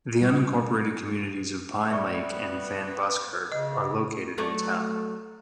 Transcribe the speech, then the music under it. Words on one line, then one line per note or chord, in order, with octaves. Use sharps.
The unincorporated communities of Pine Lake and Van Buskirk are located in the town.
G3
G3 B3 E5 C#6
C#3 D#5
F#3 A3 D5